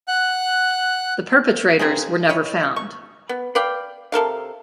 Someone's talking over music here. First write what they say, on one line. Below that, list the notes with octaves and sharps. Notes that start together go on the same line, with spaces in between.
The perpetrators were never found.
F#5 F#6
C#3 C4 D#4 G#4
E4 C#5 D#5
C#6
B3
B4 D5 F5 G5
C3 A4 A#4 F5